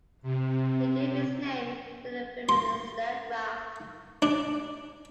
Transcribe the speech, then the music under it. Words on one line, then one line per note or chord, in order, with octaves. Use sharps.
He gave his name to the Phemister graft.
C3
C6
D4